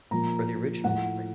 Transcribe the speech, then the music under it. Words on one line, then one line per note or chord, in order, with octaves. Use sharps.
or the original was live?
A#2 F3 A#5
A2 F3 F#5